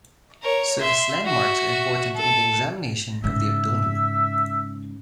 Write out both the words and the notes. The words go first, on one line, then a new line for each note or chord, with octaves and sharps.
Surface landmarks are important in the examination of the abdomen.
A#4 C#5
E5 C6
F#4 E5
A4
G#2 C#3 E5